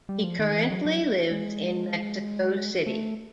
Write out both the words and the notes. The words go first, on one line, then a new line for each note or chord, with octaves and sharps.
He currently lives in Mexico City.
G3
F3
D#3
E3
F#3
F#3
G#3
A3